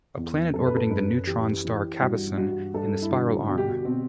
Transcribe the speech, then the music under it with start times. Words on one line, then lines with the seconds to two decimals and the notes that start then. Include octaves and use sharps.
A planet orbiting the neutron star Cavesson in the Spiral arm.
0.17 E2
0.54 F#2 A4
0.66 B4
0.77 A4
0.90 F#2 B4
1.27 E3 G4
1.65 E3
2.01 G2 F#4
2.37 G2 F#4
2.74 G2 A4
3.02 E4
3.11 D3 F#4
3.48 B2 F#4
3.58 G4
3.68 F#4
3.85 B2 C4